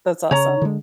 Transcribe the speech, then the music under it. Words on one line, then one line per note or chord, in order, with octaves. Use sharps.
That's awesome.
C#3 C#5 A#5
D3 G#3